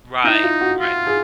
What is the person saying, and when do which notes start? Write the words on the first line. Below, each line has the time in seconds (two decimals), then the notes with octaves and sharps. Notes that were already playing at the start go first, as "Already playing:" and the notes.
Right. Right.
0.24 D#4 E4
0.43 F4
0.61 F#4
0.80 F4
1.07 G#4